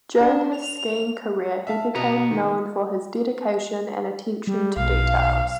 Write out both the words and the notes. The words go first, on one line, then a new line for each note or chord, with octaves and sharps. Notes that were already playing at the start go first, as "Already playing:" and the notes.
During his skiing career he became known for his dedication and attention to details.
D4
F7
E5 F5 A5
B2 B3 A#5
D#3
G3
B1 F5